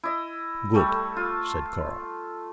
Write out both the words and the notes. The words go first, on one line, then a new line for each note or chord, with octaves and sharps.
"Good," said Carl.
E4 D#5
G3 A3 A4
F4